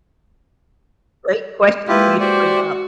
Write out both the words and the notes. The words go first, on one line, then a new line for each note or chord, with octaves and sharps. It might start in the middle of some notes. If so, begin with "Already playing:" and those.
great question for you to bring up.
G#3 A#3 E4 F4 G4 B4
F#4 G4 C5 D5